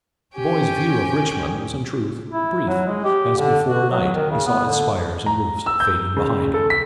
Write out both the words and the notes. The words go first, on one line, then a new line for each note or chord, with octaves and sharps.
The boy's view of Richmond was in truth brief, as before night he saw its spires and roofs fading behind him.
C#4 G4 G5 G#5
E4
F#3
G#3
G4
D3
F#4
F#3
D#3
C#3
B3
D3
A#5
E6
G6
C#3
A4
B6